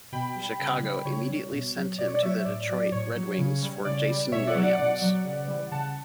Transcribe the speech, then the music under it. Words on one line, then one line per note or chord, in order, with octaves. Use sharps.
Chicago immediately sent him to the Detroit Red Wings for Jason Williams.
B2 G5 B5
G3
C#3
G3
C#3 C#5
G3
B2
F#3
B2 D5
C#5
D5
F#3 C#5 E5
A2 D5
F#3 D5
A2 C#5
F#3
C#3
G3
C#3 D5
G3
B2 C#5 E5
D5 F#5
F#3
D5 F#5
B2 D5 F#5
F#3
C#3
E3 G3
C#3 F#5 A5